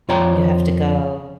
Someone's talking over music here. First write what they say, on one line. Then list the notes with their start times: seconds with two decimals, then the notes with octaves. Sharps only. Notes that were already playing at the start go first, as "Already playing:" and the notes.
You have to go.
0.09 F2 F3 C#5 D5 G5 A#5